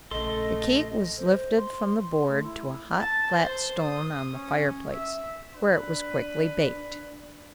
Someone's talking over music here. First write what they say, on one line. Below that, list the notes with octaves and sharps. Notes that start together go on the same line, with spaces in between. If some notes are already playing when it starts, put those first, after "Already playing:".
The cake was lifted from the board to a hot flat stone on the fireplace, where it was quickly baked.
A#1 C#3 A3 A4 D#5 C6
C5
C6
C6
A3
E4
A5
C5
D#6
C#4
E5
D4 B4